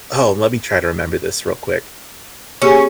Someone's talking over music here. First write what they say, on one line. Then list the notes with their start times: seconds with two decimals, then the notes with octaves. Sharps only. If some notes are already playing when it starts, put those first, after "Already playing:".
oh, let me try to remember this real quick.
2.62 A#3 C#4 G4 G#4